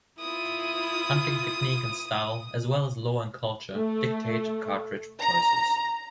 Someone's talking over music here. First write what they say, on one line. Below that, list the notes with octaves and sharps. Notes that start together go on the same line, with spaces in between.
Hunting technique and style, as well as law and culture, dictate cartridge choices.
E4 F4 D#6
A3
A#5